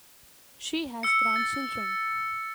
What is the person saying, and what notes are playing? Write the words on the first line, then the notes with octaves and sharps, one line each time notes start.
She has grandchildren.
E6 C#7
A6